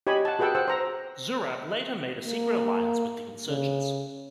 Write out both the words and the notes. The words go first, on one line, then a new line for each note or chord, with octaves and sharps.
Zurab later made a secret alliance with the insurgents.
G4 C#5 D#5 G#5 B5 C#6
F#5 A5
F#4 G#4 B4 F#5 G5 E6
C5 F#5 G5 E6
C5 A#5
A#3
C#3